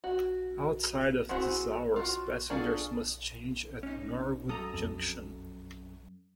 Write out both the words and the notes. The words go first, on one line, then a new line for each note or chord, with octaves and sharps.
Outside of these hours passengers must change at Norwood Junction.
F#4
B3 C4 E4 F#4 G#4
F4 F#4
C#4 D4 F4 G#4 A4
C#4 D#4
F#2 A4 A#5 D#6
F2